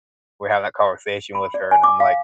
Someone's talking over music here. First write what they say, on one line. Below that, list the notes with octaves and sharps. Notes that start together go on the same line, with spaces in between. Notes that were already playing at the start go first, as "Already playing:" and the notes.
we had that conversation with her and I'm like,
B5
D5
G#5
D6
F5